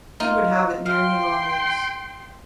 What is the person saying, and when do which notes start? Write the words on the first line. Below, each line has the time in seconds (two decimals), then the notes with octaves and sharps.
He would have it near him always.
0.20 D#4 F4
0.86 F5 G5 C6